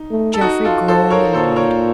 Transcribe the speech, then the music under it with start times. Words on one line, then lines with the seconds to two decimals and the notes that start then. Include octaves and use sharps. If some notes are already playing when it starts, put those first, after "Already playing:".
Jeffrey groaned aloud.
Already playing: D#4
0.11 A3
0.34 A4
0.41 D#4 F#4
0.64 F4 A4
0.88 A4 C5
1.10 A#4 C#5
1.33 A#2 A4 C5
1.56 A#4 C#5